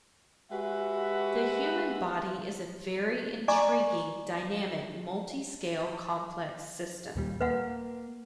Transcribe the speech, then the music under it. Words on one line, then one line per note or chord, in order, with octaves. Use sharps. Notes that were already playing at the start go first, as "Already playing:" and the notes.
The human body is a very intriguing dynamic multi-scale complex system.
G#3 F#4 G4 B4 E5 F#5
D5 D#5 G#5 A#5 C#6 D6
D#2 A#2 G3
A#3 B4 F5 F#5